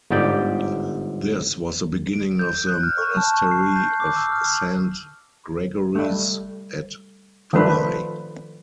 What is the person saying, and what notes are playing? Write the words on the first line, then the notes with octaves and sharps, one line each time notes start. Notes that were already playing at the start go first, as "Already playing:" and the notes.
This was the beginning of the monastery of Saint Gregory's at Douai.
G1 G#2 G4 D5 G5
D7
G6
F#6
F6
C#6
A5
C#6
C7
G6
D6
E6
F6
G3 A3
D#3 F3 A3 D4 B4 C5